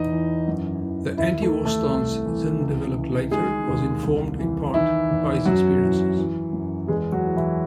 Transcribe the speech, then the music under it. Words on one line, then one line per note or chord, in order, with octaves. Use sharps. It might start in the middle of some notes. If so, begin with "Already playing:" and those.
The anti-war stance Zinn developed later was informed, in part, by his experiences.
Already playing: E2 D#4 D#5
E3
F#2
E3
D#2 E4 E5
A3 A4
E3
A3 A4
C2
E3
C#2
E3
D#3 G#3 G#4
D#2
C2
E3
D#3 E3 E4
E2
F#2 F#3 F#4
E3
E3
F#2
E2 G#3 G#4
F#3 F#4
E3
E3 E4